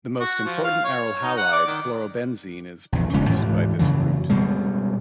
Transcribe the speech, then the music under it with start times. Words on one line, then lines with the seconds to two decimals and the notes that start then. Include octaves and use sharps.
The most important aryl halide, chlorobenzene is produced by this route.
0.20 F#4
0.45 F3
0.64 F5
0.85 C#5
1.23 D#4
1.37 F#5
1.52 D5
1.67 D#3
2.92 A#1 E2
3.14 E1 C#3 G#3 C#4
3.28 D2 G#2 E3
3.79 F#2 C#3 E3 F#3
4.30 B2 G3 G#3